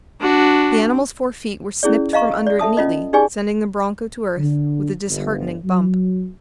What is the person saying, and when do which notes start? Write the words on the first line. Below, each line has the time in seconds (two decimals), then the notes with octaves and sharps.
The animal's four feet were snipped from under it neatly, sending the broncho to earth with a disheartening bump.
0.20 D4 F#4
1.83 C#4 E4 G#4 D5
2.13 D#5 F5 A#5 C#6
2.47 D5
2.59 A4 E5 A5 D#6
2.77 C#4 F4 D#5
3.13 D#4 G4 G#4 D5 G#5
4.38 D3
5.09 G1
5.64 F#3